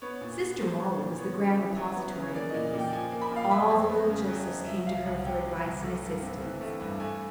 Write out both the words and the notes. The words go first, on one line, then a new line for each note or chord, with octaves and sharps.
Sister Mollie was the grand repository of these; all the little Josephs came to her for advice and assistance.
B3 C#5
A#2
A#2
F#3 C5
B3
A#2
B3 C#5
C#3
E4
F#3
B3
C#3
C#5
A#3 D5
A#2 D#5
A#2 G5
F3 G#5
A#3
B5
A#2 F5
F#3 E5
F2
B3
C#3
F#3
F2
F3 E5
C2 F5
C2 F#5
C3 G5
F3
C2
A3
G2
C4
E3
A3
G2
A3 G#5